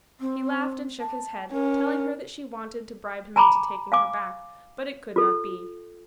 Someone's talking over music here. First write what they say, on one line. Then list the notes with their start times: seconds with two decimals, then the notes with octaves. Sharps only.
He laughed and shook his head, telling her that she wanted to bribe him into taking her back, but it could not be.
0.20 C4
1.00 A5
1.52 C#4 A#4
3.36 G#5 A#5 B5 D6
3.92 F5 G#5 D6
5.16 F4 A4